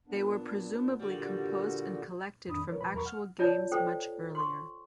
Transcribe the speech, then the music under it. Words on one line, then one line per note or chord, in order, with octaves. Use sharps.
They were presumably composed and collected from actual games much earlier.
A#2 B3 D4
A#2 D3 G3 F#4
F2 A2 D#3 D4 B5 D#6
E3 F3 A#4 B4 C#5
A#2 F3 B4 B5
E2 F#3 A#4 A#5 B5 C#6
F#5 F6
F4 C#5 D5 A5
A4 C5 G5
C6 C#6